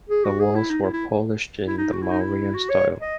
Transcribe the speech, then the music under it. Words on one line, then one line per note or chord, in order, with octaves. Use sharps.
The walls were polished in the Mauryan style.
G#4
F#4
G#4
E4
D#4
E4
E4
E4
D#4
F#4
E4
D#4
E4
F#4
C#5
D#5